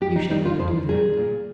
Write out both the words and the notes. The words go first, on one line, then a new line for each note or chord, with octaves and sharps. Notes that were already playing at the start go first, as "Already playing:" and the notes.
"You shall never do that."
F2 G4
D#4
D#3 G3 D#4
F4
F2 C5
D#3 G3 G#4
A#2